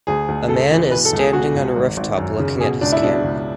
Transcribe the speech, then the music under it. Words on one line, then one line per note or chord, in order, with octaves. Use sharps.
A man is standing on a rooftop looking at his camera.
D2 G#4
D2
C#3 A4
E3
B2 B4
A4
C#2
G#4
B2 F#4
C#2
G#1
G#1
F#2
C#3
B2 G#4
C#2 D4
E4
B2 D4
C#2